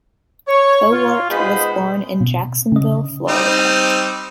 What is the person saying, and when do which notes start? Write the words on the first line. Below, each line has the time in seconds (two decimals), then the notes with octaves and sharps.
Cowart was born in Jacksonville, Florida.
0.48 C#5
0.93 F4
1.30 G#3 B3 D#4 G#4 C5 B5
2.21 B2
2.72 C#3 D#5
3.28 G3 C4 D#4